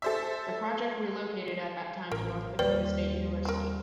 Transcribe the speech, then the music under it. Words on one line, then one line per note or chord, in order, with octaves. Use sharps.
The project relocated at that time to North Dakota State University.
A4 C5 E5
A1 A#4
D#2 G3 B4 C5 D5 G5
C4 A#4